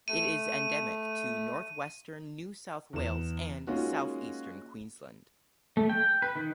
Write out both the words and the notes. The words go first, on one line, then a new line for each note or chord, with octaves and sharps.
It is endemic to north western New South Wales and south eastern Queensland.
A3 D#7
E2 E7
G#3 A#3 C#4 D#4 F4 F#4
A3
G5
B4
D#3